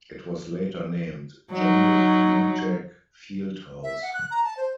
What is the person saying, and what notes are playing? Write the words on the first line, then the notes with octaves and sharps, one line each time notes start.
It was later named Johnny Lujack Field House.
F#3 D#4
E5
F#5
F#6
A#5
A5
C5